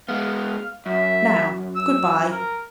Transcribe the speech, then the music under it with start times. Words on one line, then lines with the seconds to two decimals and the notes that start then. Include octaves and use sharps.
Now good-bye.
0.08 G#3 B3 F5
0.86 F#2 E5
1.75 E6
2.31 A#4